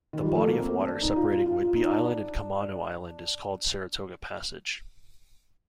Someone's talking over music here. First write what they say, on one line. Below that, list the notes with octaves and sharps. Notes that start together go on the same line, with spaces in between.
The body of water separating Whidbey Island and Camano Island is called Saratoga Passage.
D#3
G3
F3
A3
A#3
C4
D4
D#4
F4
F4
F4
F4
D#4
D4